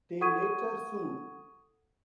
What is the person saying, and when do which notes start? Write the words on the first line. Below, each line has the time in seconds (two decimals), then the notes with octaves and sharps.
They later sued.
0.21 A4 F#5 C#6 D#6 G#6 D#7